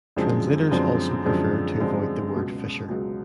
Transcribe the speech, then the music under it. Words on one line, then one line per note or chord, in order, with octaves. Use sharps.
Translators also prefer to avoid the word fisher.
F#2 D3 F3 G#3 C4
F#2 D3 F3 G#3 C4
F#2 D3 F3 G#3 C4
F#2 D3 F3 G#3 C4
C#2 B2 F#3
C#2 B2 F#3